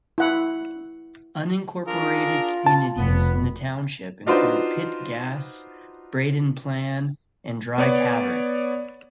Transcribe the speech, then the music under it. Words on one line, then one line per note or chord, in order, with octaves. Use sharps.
Unincorporated communities in the township include Pitt Gas, Braden Plan, and Dry Tavern.
E4 F#5
D4 F4 G#4 A#4
A5
F1 B3
D4 D#4 F4 F#4 B4 C5
B3 C#5 D5